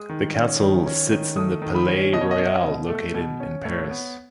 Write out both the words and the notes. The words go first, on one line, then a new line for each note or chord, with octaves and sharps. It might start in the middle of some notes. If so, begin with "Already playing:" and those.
The Council sits in the Palais Royal located in Paris.
Already playing: G#3 D#6
D#3
C#4
D#3
C#4
D#3
A3 D#6
D#3
B5
C#4
B2 D#5
C#5
D#5
C#4
B2
A3
B2
C#4
A2 C#5
B3